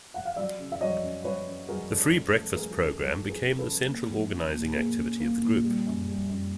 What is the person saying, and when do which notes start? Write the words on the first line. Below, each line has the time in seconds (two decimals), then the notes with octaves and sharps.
The Free Breakfast Program became the central organizing activity of the group.
0.14 F#5
0.25 F5
0.36 F#3 D5 E5
0.59 C#3
0.72 E5
0.81 F#3 C#5 D#5
1.03 C#4
1.24 F#3 B4 C#5
1.47 C#4
1.68 F#3 G#4 A#4
1.91 C#4 A4
2.12 C#3
2.34 A3 A4
2.56 A3 G#4 A#4
2.71 A4
2.78 C#3 G#4 A#4
2.99 F#3 A4
3.22 F#3
3.29 G#4 A#4
3.44 C#3
3.59 A4 B4
3.66 C#3
3.88 A#3
4.10 F3
4.32 C#4
4.54 A#2
4.75 A#2 G#4 A#4
4.98 C#4
5.20 A#3
5.42 A#2
5.64 G3
5.86 F#2
6.08 G3
6.29 F#2